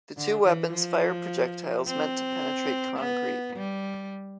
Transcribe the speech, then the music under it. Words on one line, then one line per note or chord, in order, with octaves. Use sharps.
The two weapons fire projectiles meant to penetrate concrete.
D3
E3
F3
C4
B3
G3